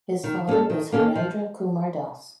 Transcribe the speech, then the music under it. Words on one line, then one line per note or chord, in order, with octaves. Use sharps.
His father was Harendra Kumar Das.
D#3
A#3 C#4 A4
D#3
A#3 C#4 A4
F3